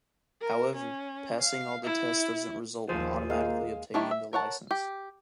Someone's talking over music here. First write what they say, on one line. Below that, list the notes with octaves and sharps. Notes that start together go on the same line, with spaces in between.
However, passing all tests doesn't result in automatically obtaining the license.
A#4
C#4
F5
E4
D#2 F3 F4 G#4 C5
G#3 A#3 F5
D#3 G3 D4 E4 C#5
E5
A#4 C#5 F#5 A5
G4